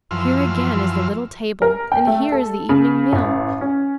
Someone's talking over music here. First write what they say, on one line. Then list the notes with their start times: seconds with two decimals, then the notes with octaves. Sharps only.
Here again is the little table, and here is the evening meal.
0.11 F#2 E3 F3 C6 E6 F6
1.62 A#4
1.92 G5
2.07 A3
2.32 A4
2.69 C#3
3.13 A1
3.61 C#4